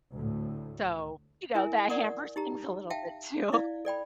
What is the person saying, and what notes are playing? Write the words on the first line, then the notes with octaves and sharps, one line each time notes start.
so, you know, that hampers things a little bit too.
D2 A2
E4 A#4 E5 G#5
A#4 D5 F#5 C#6 D#6
D#4 G4 A#5
E5 F5 G5 A5
E4 D5 F5
A4 D5 G5 B5